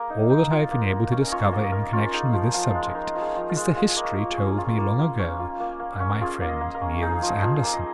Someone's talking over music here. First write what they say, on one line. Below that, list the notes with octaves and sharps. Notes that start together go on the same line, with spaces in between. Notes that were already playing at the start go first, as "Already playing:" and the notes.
All that I have been able to discover in connection with this subject is the history told me long ago by my friend Niels Andersen.
Already playing: A#3 G#4 A#4
D#4
D#4
F4
A#3
A#3
C#4
F4 C#5 D#5
A#3 D#5
A#3 A#4
C#4 F4
D#4 G#4
F3
F3 F4
G#3
D#4 A#4
F3
G#4
F3
F4
G#3
F4 G#4
A#3 D#5
C#5
A#3
G#4
C#4
F4
A#3
A#3
C#4
F4
A#3
A#3
C#4
F4 G#4
A#3
D#5
A#3
A#4
C#4
D#4 G#4
F3
G#4
F3
G#4
A#3
D#5